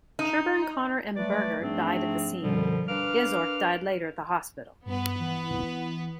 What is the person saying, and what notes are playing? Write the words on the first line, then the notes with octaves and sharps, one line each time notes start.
Sherburne, Connor, and Berger died at the scene; Gezork died later at the hospital.
D#4
F#3 G3 A3 B4 D5
G#2 F3 A3 C4 D4 G#4
F#2 B2 D3 F3 G3
D4 A#4 B4 F5 D6 F6
G2 B3 B4
E3